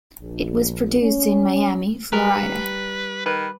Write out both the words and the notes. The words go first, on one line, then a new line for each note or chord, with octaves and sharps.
It was produced in Miami, Florida.
A#1
C#4
G3 A#4 B4
D#3 B4